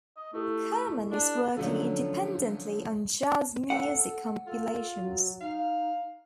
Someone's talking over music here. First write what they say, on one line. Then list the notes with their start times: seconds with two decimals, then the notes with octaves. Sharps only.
Kerman is working independently on jazz music compilations.
0.16 D#5
0.33 A3 E4 G4 A4
1.11 D4
1.57 D3 F3 F#3 A3 C#4 D4
3.70 A4 F#5
4.47 F4 A4
4.96 F#3
5.41 D#4 F5